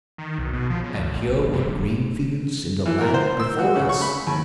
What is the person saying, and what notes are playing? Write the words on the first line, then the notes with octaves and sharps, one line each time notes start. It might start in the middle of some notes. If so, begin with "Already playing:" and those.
And here were green fields in the land before us.
D#3
B1
B2
F3
C#3
D2
A#1
F1
C3
D#1
E3
A#4
C5
E6
F#4
C#3
C#6
B5
D#2